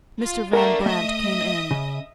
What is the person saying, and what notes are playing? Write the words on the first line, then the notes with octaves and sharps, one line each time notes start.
Mr. Van Brandt came in.
F4
A3 A#3 D4 A#4 F#5 A#5
A3 D#5 E5 D#6
C#3